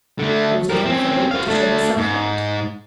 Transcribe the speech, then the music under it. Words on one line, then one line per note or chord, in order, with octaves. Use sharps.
There was nothing for it but to show herself out.
D3 A3
G3 A#4
C4 C#4
F#4 F5
A3 D4
G#2